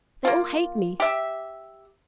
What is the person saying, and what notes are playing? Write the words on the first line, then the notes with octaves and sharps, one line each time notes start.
They all hate me.
A#3 F4
G4 E5